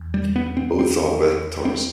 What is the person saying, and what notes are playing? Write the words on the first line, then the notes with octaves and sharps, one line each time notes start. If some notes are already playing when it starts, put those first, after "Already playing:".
Both are vectors.
Already playing: E2
G3
B3
C4
C4
C4